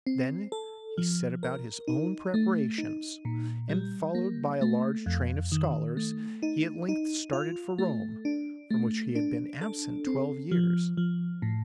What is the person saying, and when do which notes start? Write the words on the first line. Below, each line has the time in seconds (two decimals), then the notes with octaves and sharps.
Then he set about his own preparations, and, followed by a large train of scholars, he at length started for Rome, from which he had been absent twelve years.
0.06 C4
0.52 A4
0.97 F3
1.43 A#4
1.88 D#4
2.34 A3
2.78 D#4
3.25 A#2
3.69 G3
4.15 A#3
4.61 A3
5.06 F2
5.52 D#3
5.97 A3
6.42 D#4
6.89 D#4
7.33 F4
7.78 A3
8.25 D4
8.70 A3
9.15 D4
9.61 A4
10.07 C4
10.51 F3
10.97 F3
11.42 A2